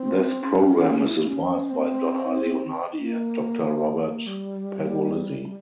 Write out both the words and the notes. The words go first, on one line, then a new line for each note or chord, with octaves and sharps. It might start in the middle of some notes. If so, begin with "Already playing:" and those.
This program is advised by Donna Leonardi and Doctor Robert Pergolizzi.
Already playing: C4
C#4
E4
C#4
C#4
C4
A#3
G3